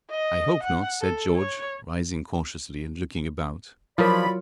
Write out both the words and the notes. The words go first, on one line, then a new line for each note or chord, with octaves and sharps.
"I hope not," said George, rising cautiously and looking about.
D#5
F#5
A4
C#5
F3 F#3 E4 F4 A#4 C#5 D5 B5